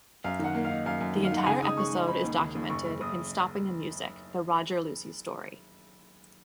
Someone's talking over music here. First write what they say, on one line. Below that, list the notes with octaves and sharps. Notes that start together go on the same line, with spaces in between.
The entire episode is documented in Stopping the Music: The Roger Lucey Story.
F#2 F5
D#3 F#5
A#3
F5
D#4
F#2 F5
F#2
D#3
F5
D#3 F#5
C#3 G#5
D#4 D#6
G#3 C#6
D#4
D#4 B5
D#2
D#2
D#2
F#1 C#6
F#1
F#1 D#6